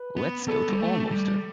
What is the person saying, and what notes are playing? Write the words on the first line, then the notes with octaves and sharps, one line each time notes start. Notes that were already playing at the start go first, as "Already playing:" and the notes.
Let's go to Almoster.
Already playing: B4
B3
B3 A4
G3
A3
G3